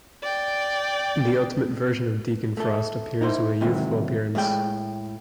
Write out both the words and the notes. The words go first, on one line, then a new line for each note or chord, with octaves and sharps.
The Ultimate version of Deacon Frost appears with a youthful appearance.
D5 G5
A3 A4
D#4 E4 A#4 C5
G#2 C3 D#3 E3 F#3 A3
A2 G#3 G#4 G5